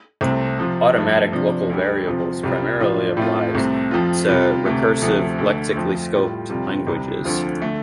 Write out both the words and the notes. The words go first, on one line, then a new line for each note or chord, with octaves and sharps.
Automatic local variables primarily applies to recursive lexically-scoped languages.
C2 C3 A3 C4
C3 F3 C4 F4
G2 F3 A3
C3 F3 D4 F4
D2 D3 G3
F2 C3 F3 C4 F4
C2 C3 G3 C4 F4
A2 F3 D4 F4
A2 A3 C4 F4
C2 C3 A3 C4
F2 F3 C4 F4
C3 G3 F4
D2 C3 A3
D2 C3 F3 A3
D2 D3 A3
F2 F3 A3 C4 F4
A2 G3 F4
F2 C3 G3 F4
C2 C3 G3
D2 D3 F3 C4 F4
D3 A3